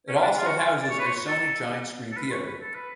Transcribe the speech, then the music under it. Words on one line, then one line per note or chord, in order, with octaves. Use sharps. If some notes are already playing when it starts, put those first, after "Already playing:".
It also houses a Sony Giant Screen theater.
C#4
D4
F4
F#4
F4
D5
C#5
B4
C#5
A4
A4
B4
B4
C#5
B4
A4
B4